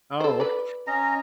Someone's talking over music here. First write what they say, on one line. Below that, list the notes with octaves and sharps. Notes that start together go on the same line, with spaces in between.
Oh, okay.
A4 C5
B4 D5
C#4 D#5 A#5